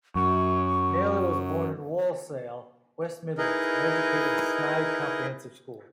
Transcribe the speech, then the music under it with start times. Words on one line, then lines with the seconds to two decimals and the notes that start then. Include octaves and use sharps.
Naylor was born in Walsall, West Midlands, and educated at Sneyd Comprehensive School.
0.15 F#2 C#6
3.38 D#4 E4 G#4 A#4 B4 D#5